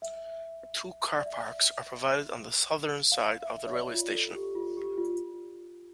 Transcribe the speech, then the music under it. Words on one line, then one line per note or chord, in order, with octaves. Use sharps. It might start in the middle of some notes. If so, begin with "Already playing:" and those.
Two car parks are provided on the southern side of the railway station.
E5
D5
E5
F5
E5
C#5
D5
F4
A4
G4
F4
G4
F4